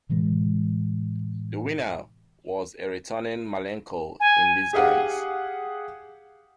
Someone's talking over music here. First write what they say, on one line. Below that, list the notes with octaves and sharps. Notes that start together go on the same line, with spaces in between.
The winner was a returning Malenko in disguise.
A2 C3 E3 G#3
G#5
G4 G#4 F5 F#5